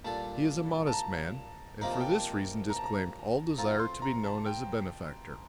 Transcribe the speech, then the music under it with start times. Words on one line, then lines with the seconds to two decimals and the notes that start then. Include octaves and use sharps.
He is a modest man, and for this reason disclaimed all desire to be known as a benefactor.
0.04 A#2 G3 D4 A4 A5
0.87 A5
0.93 A#5
1.81 C3 F3 A#3 D#4 A#4 A#5
1.91 A5
2.00 G5
2.10 A5
2.70 A#5
2.76 A5
2.84 A#5
3.58 C4 F4 A4 A#5
3.79 C6
4.02 A#5
4.24 A5
4.46 G5